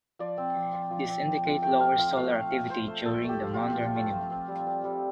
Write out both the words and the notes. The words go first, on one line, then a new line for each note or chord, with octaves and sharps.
These indicate lower solar activity during the Maunder Minimum.
F3 D5
C4
F3
F4
F3
C4
F3
F4
A3 G5
F4 F5
F4 F5
A3 F5
A3
F4
F4 C5
A3
F3 A4
A3 G4
F3
F4
C4
F3
A3
F3
C4
G3
C4
G3